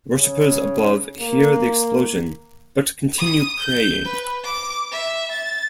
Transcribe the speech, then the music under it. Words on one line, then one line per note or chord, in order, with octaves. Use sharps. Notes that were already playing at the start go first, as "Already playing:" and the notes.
Worshipers above hear the explosion but continue praying.
C#3
A#3
D#6
G6
B4
D6
E5
A6